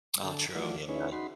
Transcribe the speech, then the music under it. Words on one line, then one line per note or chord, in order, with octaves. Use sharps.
All true. Yeah.
D3 A4
E3 F#3 A3 F4 D5
C#4 D#4 E4 G#4 B4 C#5
D#4 F#4 B5 C6